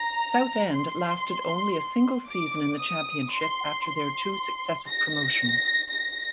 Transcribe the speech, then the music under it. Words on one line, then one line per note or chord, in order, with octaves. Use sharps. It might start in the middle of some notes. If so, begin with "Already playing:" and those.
Southend lasted only a single season in the Championship after their two successive promotions.
Already playing: A#5
C6
D6
D#6
C6
C6
A#6
A#6